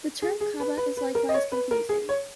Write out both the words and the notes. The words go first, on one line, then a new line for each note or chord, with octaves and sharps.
The term Kaba is likewise confusing.
G#4
G#4
B4
B4
B4
A#4
D#5
C#5
B4
A#4
G#4
C#5